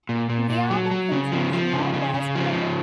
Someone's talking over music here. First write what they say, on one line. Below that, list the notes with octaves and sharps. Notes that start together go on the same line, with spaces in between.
The album contains no bass player.
A#2
A#2
A#2
F#3
F#3
C#3
F3
F3
C#3
C#3
C#3
F3
C#3